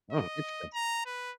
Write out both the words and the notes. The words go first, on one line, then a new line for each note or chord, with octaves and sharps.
Oh, interesting.
D#5
A#5
B4